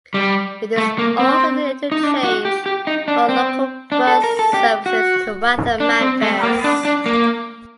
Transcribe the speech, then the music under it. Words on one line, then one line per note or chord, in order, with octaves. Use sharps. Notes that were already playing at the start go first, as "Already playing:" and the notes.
It is also an interchange for local bus services to Wath and Manvers.
G3
A3
A#3
C4
D#4
D4
F#4
G4
G4
D#4
D4
C4
D4
A4
A#4
A4
G4
F#4
D4
C4
A3
A#3
D4
D4
A#3